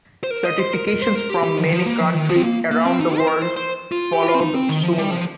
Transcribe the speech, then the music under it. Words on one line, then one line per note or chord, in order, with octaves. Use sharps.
Certifications from many countries around the world followed soon.
C5
A#4
D#5
C5
A#4
A#4
C5
A#4
G4
G4
F3
D#3
F3
A#3
F3
D#3
F3
C4
A#3
A#3
C4
D#4
C5
A#4
C5
C5
F4
G4
F4
C4
D#4
C4
D#3
F3
G3
F3